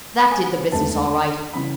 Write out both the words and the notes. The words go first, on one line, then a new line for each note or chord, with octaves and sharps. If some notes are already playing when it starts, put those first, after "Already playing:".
That did the business, all right.
G#5
E1 D2 D3 A5
C#3 E3 B5